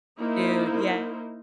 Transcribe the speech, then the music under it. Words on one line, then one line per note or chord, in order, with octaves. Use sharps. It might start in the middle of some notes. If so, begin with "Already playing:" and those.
Dude, yeah.
A#3 D#4 E4 A#4 C5